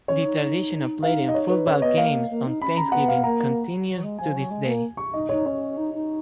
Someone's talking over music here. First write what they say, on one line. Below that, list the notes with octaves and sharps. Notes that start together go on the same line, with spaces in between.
The tradition of playing football games on Thanksgiving continues to this day.
C#4 C#5
D#4
D#4
D#4 F5
D#5
C#5
B4
C#4 C#5
B3 D#5
A#3 F5
A#3
D#4
C#4 B5
A#5
B3 F#5
F5
A#3 A#5
F#3
G#3
F3 G#5
F#3
G#3
A#3
C#6
D#4 D#5
D#4 C#5
C#4 C#5
D#4
D#4